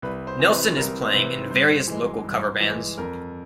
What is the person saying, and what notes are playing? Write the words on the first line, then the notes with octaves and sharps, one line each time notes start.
Nelson is playing in various local cover bands.
C2 B4
C5
C3 E3
B4
C2 A#4
C5
C3 E3 B4
G2 C5
E3 G#3
G2
E3 G#3
F2 A#4